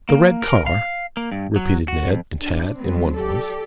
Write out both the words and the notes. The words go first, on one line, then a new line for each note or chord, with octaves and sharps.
"The red car," repeated Ned and Tad in one voice.
A#3
A#4
F5
A#3
G2
F#3
F#4
F2
D4
F#3 G3 B3 C4
G4 A4 D5